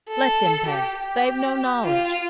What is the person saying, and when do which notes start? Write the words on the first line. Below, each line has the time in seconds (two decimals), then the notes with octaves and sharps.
Let them pay--they've no knowledge.'
0.09 A4
0.68 G4
0.98 G4
1.85 F4